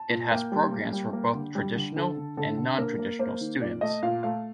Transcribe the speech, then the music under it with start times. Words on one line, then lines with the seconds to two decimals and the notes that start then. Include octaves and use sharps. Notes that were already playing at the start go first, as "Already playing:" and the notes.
It has programs for both traditional and non-traditional students.
Already playing: A5
0.10 A#2
0.30 A#3 G5
0.52 G3
0.72 A#3
0.93 G3
1.13 A#3
1.35 D3
1.55 G3
1.76 D3
1.96 D3 A4
2.17 D3
2.37 D3 A4
2.58 D3
2.78 A#3 A#4
2.99 A#3
3.19 A#3 C5
3.41 D#3
3.61 A#2 D5
3.81 A3 D#5
4.03 A#2 F5
4.23 A3 F5